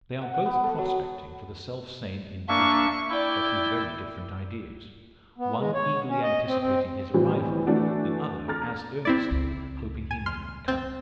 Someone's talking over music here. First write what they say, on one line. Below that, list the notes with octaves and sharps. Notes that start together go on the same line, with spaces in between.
They are both "prospecting" for the selfsame individual, but with very different ideas--one eagerly anticipating his arrival, the other as earnestly hoping he may not come.
F#5
F#5
B3
A4
F#3
A#3 D4 E5 C#6
E4 D5 G5
B3
G#3
C#5
C#4
D#5
C4
C4
A2 E3 G3 C4
D3 E3 A3 D4 F#4
A4 A#5 D6 F6 A6
C4 E4 D5
C#2
G#5
C6 F6
C4 G6 A6